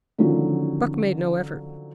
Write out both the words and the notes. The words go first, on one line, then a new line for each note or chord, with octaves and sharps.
Buck made no effort.
D3 D#3 F3 F#3 C#4